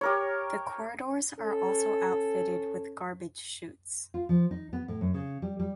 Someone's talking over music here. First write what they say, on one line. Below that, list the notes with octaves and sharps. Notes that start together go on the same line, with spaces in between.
The corridors are also outfitted with garbage chutes.
G4 A#4 C#5
C#4 A4
F4
F3
D#4
B3
A2
F#2
C#3
G3
G3